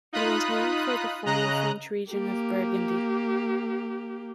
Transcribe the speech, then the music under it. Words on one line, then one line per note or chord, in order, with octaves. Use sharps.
It was named for the former French region of Burgandy.
D#4 F4 B5 D#6 F#6
C#3 D#5 A#5 F#6
A#3 G4